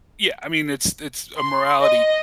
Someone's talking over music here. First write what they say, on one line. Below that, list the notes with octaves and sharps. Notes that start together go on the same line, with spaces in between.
yeah, I mean, it's it's a morality
C6
D#5